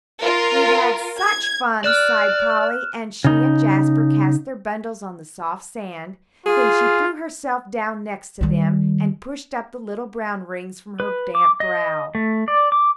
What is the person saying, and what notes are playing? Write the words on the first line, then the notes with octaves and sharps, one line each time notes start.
"We've had such fun," sighed Polly, and she and Jasper cast their bundles on the soft sand; then she threw herself down next to them, and pushed up the little brown rings from her damp brow.
F4 A#4
G#6
D5 F6 F#6 E7
C#3 D#4
F4 G#4
D#3 G3
B4
D6
D#5
A3
D5
D6